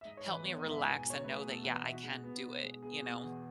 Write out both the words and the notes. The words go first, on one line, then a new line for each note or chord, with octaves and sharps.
help me relax and know that, yeah, I can do it. You know?
E5
G#2 D#5
C#5
E3
B4
B3 C#5
D#5
G#2
E5
B2 G#5
G#5
F#3
C#5
A3 B4
G#4
B2
A4
E2 B4
D#5
B2 E5
F#4
G#3
B3
B2
G#3
B3 G#4
B2
E2